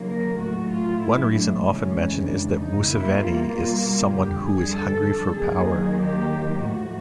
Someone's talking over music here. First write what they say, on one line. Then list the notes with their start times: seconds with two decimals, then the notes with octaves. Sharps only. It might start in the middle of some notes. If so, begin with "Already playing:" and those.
One reason often mentioned is that Museveni is someone who is hungry for power.
Already playing: D#2 C#3 F#3 A#3
0.08 A#4
0.39 A2 F#3 A3 F#4
0.71 F4
1.02 E4
1.33 D4
1.64 F2 C#3 E3 G#3 C#4
2.26 D4
2.58 D#4
2.88 B2 G3 A#3 E4
3.20 F4
3.51 F4
3.82 F4
4.13 F2 D3 G3 G4
4.44 G#4
4.76 A4
5.38 D#2 D#3 F#3 A#3 G#4
6.00 G4
6.62 A2 F3 A3 F#4